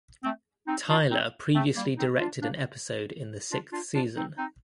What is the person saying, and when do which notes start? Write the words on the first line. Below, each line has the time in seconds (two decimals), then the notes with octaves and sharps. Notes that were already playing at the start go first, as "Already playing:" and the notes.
Tyler previously directed an episode in the sixth season.
0.23 A3 C4
0.67 C4 D#4
0.89 D4 F4
1.10 C4 D#4
1.55 A3 C4
1.76 G3 A#3
1.97 C4 D#4
2.20 D4 F4
2.41 A#3 D4
3.50 D4 F4
3.72 D4 F4
3.94 D4 F4
4.16 C4 D#4
4.38 C4 D#4